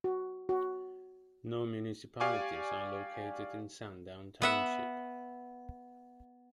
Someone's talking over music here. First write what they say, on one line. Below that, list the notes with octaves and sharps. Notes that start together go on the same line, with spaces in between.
No municipalities are located in Sundown Township.
F#4
F#4
G4 D5 F5 G#5 C#6 D6
B3 E5 F#5